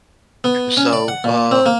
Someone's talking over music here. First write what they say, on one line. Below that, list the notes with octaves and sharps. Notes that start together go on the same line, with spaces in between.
So, uh,
B3
C#4
D5
F#5
A#2
C4
A#3